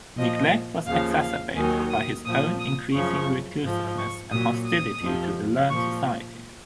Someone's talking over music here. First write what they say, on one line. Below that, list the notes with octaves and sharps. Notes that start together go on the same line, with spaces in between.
Neglect was exacerbated by his own increasing reclusiveness and hostility to the learned societies.
A#2 F3 D#5
D#2 C#3 F3 F5
F5
D#2 D#3 F#3 G#5
D#6
A#2 F3 D#6
D#6
F#2 C#3 F3 C#6
G#2 F3
C#6
A#2 F#3 D#6
D#6
F2 C3 F3
A#2 F3 C#6